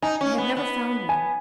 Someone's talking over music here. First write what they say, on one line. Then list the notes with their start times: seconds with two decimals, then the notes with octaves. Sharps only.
I have never found one.
0.02 D#4 G#5
0.21 C#4
0.38 B3
0.57 B3
1.09 G#5